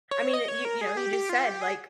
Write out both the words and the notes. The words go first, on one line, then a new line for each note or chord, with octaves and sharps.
I mean, uh, you you know, you just said like, f
C#5
D#5
C#5
A#4
G#4
G4
G4
F4
G4
G#4